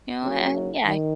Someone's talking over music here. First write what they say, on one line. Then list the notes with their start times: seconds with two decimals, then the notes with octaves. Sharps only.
you know, eh, yeah, I
0.20 F#1 F#2 C#3 F#3
0.85 D#3